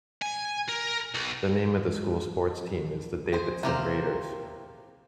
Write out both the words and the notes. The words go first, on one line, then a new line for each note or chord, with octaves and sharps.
The name of the school sports team is the Davidson Raiders.
G#5
A#4
B1
G#4 C5
C3 A3 A#3 G4 A#4 C5